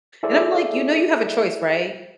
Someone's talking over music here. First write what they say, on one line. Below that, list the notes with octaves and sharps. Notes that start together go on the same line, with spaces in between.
and I'm, like, "You know you have a choice, right?
E4 G#4 A4 C5 D5 E5